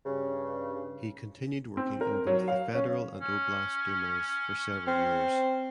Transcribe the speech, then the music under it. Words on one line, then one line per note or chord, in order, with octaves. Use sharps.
He continued working in both the federal and oblast dumas for several years.
G2 C#3
C4
A#4
F#3
F5
C#4
C#4
C4